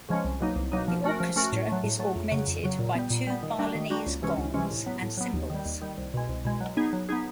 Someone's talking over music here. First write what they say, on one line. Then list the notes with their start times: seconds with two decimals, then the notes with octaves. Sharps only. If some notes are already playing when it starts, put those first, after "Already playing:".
The orchestra is augmented by two Balinese gongs and cymbals.
0.09 C#3 F3 G#3 C#4
0.25 C2
0.40 B2 F#3 A#3 D#4
0.56 C2
0.72 B2 F#3 A#3 D#4
0.88 F3
1.04 A3 C#4 F#4 A#4
1.20 F3
1.36 A3 C#4 F#4 A#4
1.52 A2
1.68 F#3 A3
1.84 A2
1.99 F#3 A3
2.15 F2
2.31 C#3 F#3
2.48 F2
2.64 C#3 F#3
2.79 A#2
2.95 G3 B3
3.10 A#2
3.27 G3 B3
3.43 D#3
3.59 G3 A#3 D4 F#4
3.75 D#3
3.90 G3 A#3 D4 F#4
4.06 C#2
4.22 C3 E3 G#3 C#4
4.38 C#2
4.54 C3 E3 G#3 C#4
4.70 A2
4.86 F#3 B3
5.02 A2
5.17 F#3 B3
5.33 D#2
5.50 D#3 G3
5.65 D#2
5.82 D#3 G3
5.98 C2
6.14 B2 G#3
6.29 C2
6.45 B2 G#3
6.60 F#3
6.77 B3 D#4 G#4
6.93 F#3
7.09 B3 D#4 G#4